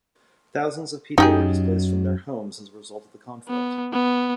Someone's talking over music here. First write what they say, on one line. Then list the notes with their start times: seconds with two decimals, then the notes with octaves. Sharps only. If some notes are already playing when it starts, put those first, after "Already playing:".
Thousands of people were displaced from their homes as a result of the conflict.
1.18 F#2 F#3 D#4 G4 G#4
3.48 B3
3.93 B3